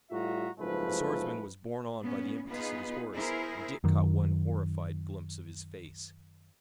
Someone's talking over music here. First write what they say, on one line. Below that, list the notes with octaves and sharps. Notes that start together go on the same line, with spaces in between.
The swordsman was borne on by the impetus of his horse, and Dick caught one horrified glimpse of his face.
A2 G3 F4 F#4 E5 A#5
F#1 G#2 F3 A3 B4
A#2 B3 C#4
B3 D#4 F4 G#4 B4
B3 E4 G#4 A#4 C5
F#2 D#3